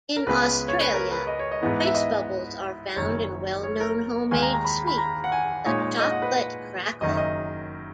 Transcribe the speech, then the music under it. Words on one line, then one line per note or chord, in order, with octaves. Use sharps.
In Australia, Rice Bubbles are found in a well-known homemade sweet, the chocolate crackle.
A#4
C#2 C#3 G#3 B3 B4
C#5
B4
A#4
B4
D#5
C#5
D#5
G#2 E3 B3 E4
E5
D#5
F#1 F#2 D#3 C#5
C#5
A#4
D#2 D#3 G#3 G#5
A#5
A#5
B5
B5
A#5
F#5
G#5
A#2 G#3 D#4 C#5
C#5
D#5
F#5
B4
F#1 F#2 D#3 D#5
E5
D#5